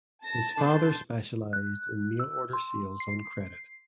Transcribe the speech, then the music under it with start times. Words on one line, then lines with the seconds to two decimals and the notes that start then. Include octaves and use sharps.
His father specialized in mail order sales on credit.
0.24 A5 A#6
0.57 D3 B3 C6 G6 A6
1.53 F#6
2.20 E6
2.53 C6
3.00 C7